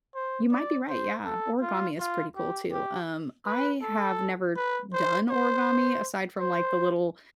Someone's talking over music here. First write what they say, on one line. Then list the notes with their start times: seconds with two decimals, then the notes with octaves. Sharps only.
You might be right, yeah. Origami is pretty cool, too. Um, I have never done origami aside from, like, the little
0.15 C5
0.52 D5
0.89 C5
1.25 A4
1.62 F4
1.99 F4
2.36 G4
2.72 G4
3.46 B4
3.82 A4
4.56 B4
4.93 C5
5.30 C5
6.39 C5